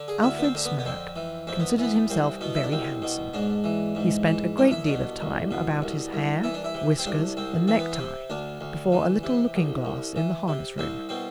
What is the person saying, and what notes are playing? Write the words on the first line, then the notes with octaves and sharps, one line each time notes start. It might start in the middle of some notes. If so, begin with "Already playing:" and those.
Alfred Smirk considered himself very handsome; he spent a great deal of time about his hair, whiskers and necktie, before a little looking-glass in the harness-room.
Already playing: D3
G#4
D2 E4
B3
C4
D3
B3
B3
F2 C4
E3
F2 C4
B3
E3 B3
C2 C4
B2 B3
E4
D4
C2 C4
B2
G#2 D4
E3
G#2
E3
C2 D4
E4
B2 D4
C2
B2
C2
C2
E3 E4
D4
E4
C3
C4
C2 D4
C2 C4
E3 C4
B3
C4
C3
D2 D4
D2
E3
C3
C2
C2
E3
C3
C2 C4
B2 C4